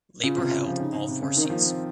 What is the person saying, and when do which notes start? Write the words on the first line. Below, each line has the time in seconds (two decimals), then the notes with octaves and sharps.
Labour held all four seats.
0.23 C#3 F4
0.37 C3
0.51 C#3
0.66 F3
0.79 C#3 D#4
0.94 C#3
1.08 C3
1.22 C#3
1.36 D#3 D#4
1.46 C4
1.50 F3
1.56 A#3
1.65 C4